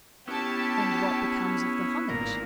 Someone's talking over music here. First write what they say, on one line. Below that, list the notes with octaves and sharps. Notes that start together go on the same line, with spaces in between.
'And what becomes of the homage?'
B3 C#4 E4 G4 A5
G#1 A#2 A#3 A#4